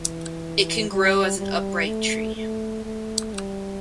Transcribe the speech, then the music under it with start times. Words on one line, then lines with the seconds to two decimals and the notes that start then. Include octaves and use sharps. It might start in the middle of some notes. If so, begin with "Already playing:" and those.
It can grow as an upright tree.
Already playing: E3
0.90 G3
1.39 G3
1.87 A3
2.36 A3
2.85 A3
3.34 G3